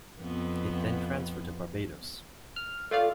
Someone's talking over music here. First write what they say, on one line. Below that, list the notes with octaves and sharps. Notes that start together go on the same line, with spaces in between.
It then transferred to Barbados.
F2 B3
F6
A3 F4 D5 F5